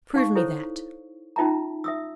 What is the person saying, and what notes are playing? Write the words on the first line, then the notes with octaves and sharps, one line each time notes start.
"Prove me that."
D#4 F5 C#6
E4 A4 C5 C#5
C#4 D#4 F4 E5 A5 A#5
E5 D#6 E6